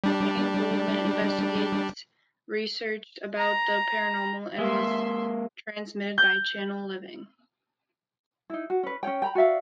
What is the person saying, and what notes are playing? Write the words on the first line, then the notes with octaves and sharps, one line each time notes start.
"Jane Goldman Investigates" researched about the paranormal and was transmitted by channel Living.
G3 D4
A#5
G#3 A#3 E5 C6
G6
D#4 E4
F#4
C#4 B4
C#4 D#4 C#5 G5
G5 A#5 B5
F#4 D5 E5 F5